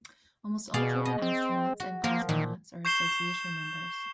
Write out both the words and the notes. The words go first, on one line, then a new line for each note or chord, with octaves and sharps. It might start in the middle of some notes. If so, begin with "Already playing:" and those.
Almost all German astronauts and cosmonauts are association members.
B2 G#4 D5 F5
D#5
C4
F#4
F3 A#3 A#4
A#2 D#3
C#6 G6 C7 E7 G7